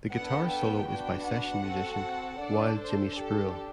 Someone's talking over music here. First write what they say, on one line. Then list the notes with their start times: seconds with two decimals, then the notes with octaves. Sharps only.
The guitar solo is by session musician Wild Jimmy Spruill.
0.12 B3 D4 A4 F#5
0.50 G5
0.88 B3 D4 F#4 G5
1.26 F#5
1.65 C4 F#4 A4
2.40 D4 A4 D5
2.78 C5
3.16 D4 G4 A4